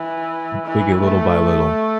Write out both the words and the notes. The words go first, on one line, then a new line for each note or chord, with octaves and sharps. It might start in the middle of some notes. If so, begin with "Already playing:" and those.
M take it little by little.
Already playing: E3
E3
A3